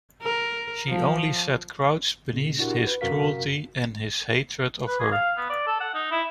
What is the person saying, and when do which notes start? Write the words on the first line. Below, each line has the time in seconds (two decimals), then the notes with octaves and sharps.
She only sat crouched beneath his cruelty and his hatred of her.
0.23 A#4
0.89 F3
2.33 A#2 C#3
2.59 D4 E4 F#4 G4 A#4 F#5
2.87 B4
3.01 F#2 C3 F#4 A#4 F5 B6
4.87 B4
5.00 G#4
5.12 F5
5.37 B3
5.50 D5
5.67 A4
5.80 F#5
5.95 D#4
6.11 E4